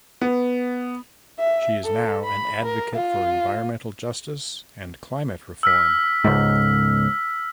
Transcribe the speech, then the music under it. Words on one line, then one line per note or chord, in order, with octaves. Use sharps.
She is now an advocate for environmental justice and climate reform.
B3
E5
A4
B5
A#4
F4
E6 F6 B6
C#2 G#2